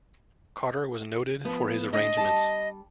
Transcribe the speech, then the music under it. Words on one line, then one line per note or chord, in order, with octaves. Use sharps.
Carter was noted for his arrangements.
F3 B3
D2 D#5
G3 A5